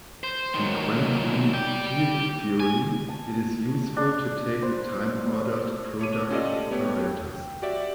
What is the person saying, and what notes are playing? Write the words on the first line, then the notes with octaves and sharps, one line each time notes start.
In quantum field theory it is useful to take the time-ordered product of operators.
C5
D#3 F#3
D5 G5
G#5
A5
D4
C5
A3 C#5 D6 D#7
C#4 F4 G4 A4 D5 D#5
A3 B3 G4 C#5
G5
F#4 G4 D5 E5